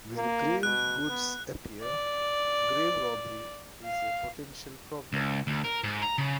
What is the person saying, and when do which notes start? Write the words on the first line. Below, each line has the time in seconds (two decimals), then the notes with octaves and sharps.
Where grave goods appear, grave robbery is a potential problem.
0.16 A#3
0.63 B2 F#6
1.08 B3
1.82 D5
3.83 F5
5.13 C#2
5.47 D2
5.64 A#4
5.84 G#2
6.02 A#5
6.18 C#3